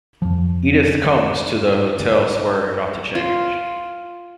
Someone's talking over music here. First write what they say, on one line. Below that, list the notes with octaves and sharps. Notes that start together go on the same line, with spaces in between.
Edith comes to the hotel swearing not to change.
F2 F3
F4